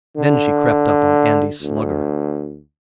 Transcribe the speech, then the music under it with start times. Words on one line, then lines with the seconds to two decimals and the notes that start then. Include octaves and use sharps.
Then she crept up on Andy's Slugger.
0.17 D3
1.62 D2